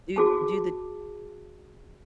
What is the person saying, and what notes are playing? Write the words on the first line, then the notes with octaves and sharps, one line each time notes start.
do do the
F#4 G#4 A5